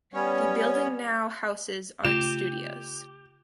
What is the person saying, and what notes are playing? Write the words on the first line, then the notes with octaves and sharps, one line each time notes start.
The building now houses art studios.
G3 B3 C#4 C#5
C#3 A3 F4 G4 E7